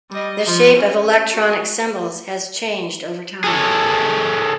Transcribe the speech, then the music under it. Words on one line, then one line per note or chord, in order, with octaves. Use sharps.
The shape of electronic symbols have changed over time.
G3 D#5
F3
C#4
F#4
G#4 A4 C#5